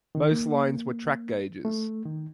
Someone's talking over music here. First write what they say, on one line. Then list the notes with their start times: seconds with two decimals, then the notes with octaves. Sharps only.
Most lines were track gauges.
0.15 D#3
0.32 A#3
1.65 A3
2.05 D#3